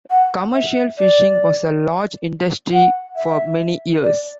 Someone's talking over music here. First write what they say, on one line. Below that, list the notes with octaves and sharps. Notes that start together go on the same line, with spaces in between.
Commercial fishing was a large industry for many years.
F#5
E5
D5
F#5
E5
D5